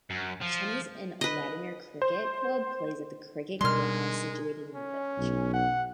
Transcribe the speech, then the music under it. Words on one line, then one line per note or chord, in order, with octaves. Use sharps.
Chenies and Latimer Cricket Club plays at the cricket ground situated in the village.
F#2
F3
B4 D#5
C5
B2 G3 G#3 D4 D#4 A#4 C6 F6
C#4
B1
F#5